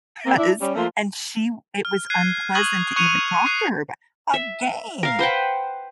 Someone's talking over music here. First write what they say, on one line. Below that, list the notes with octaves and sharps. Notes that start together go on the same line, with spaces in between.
was, and she it was unpleasant to even talk to her about a game,
A#3 C4
D4 E4
G3 C#4
F3 A3 A#3 F4
F6
F#6 G#6 C7 D#7
C#6 D#6 F6 F#6 G#6 F#7
C#6 F#6 G#6 C#7 D#7 F7
C#6 F#6 C7
E5
A#4 F5
B4 C5 F#5 G5